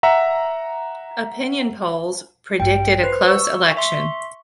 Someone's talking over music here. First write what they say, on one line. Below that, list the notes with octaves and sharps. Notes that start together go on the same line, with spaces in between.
Opinion polls predicted a close election.
E5 F#5 A#5
A1 G2 G5
B4 C5
C#6 E6
E5 C6